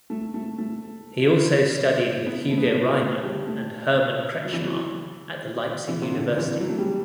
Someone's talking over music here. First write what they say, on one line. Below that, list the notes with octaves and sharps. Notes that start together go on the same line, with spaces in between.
He also studied with Hugo Riemann and Hermann Kretzschmar at the Leipzig University.
A3
A3
A3
B3
A3
B3
A3
B3
A3
G3
A3
F#3
E3
F#3
E3
C3
D3
E3
F#3
A3
G3